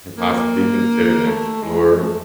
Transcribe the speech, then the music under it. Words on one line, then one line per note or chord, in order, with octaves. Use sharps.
can possibly considered an explorer,
A#3
A3
G#3
A3